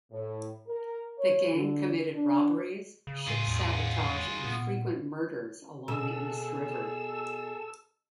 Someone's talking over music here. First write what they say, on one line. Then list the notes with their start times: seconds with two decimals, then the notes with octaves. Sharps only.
The gang committed robberies, ship sabotage and frequent murders along the East River.
0.11 A2
0.67 A#4
1.18 C#5
1.53 D3
2.14 D4
3.07 C#3
3.28 A2 F4 G#4
3.48 E2
4.45 A#2 B3
4.62 A#2
5.88 B2 G#4 A4 E6